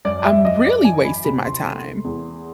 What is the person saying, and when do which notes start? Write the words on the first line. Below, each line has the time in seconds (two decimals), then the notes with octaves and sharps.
I'm really wasting my time,
0.05 F#2 D5
0.25 E5
0.44 F#2 D#5
0.65 D5
0.84 E3 G#5
1.04 B5
1.24 C3 B5
1.44 C6
1.65 A3
2.04 E2